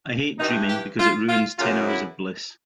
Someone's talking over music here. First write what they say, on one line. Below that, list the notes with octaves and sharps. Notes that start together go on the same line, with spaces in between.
I hate dreaming because it ruins ten hours of bliss.
G2 E3 D#4
G4
F4
F4
F#2 C#3 E3 F4
E4